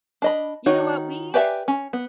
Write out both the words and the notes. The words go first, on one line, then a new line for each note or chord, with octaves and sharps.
You know what? We,
D4 D#5 B5
D#3 D#4 F#4 C#5
G4 B4 D5 E5 G#5
C#4
B3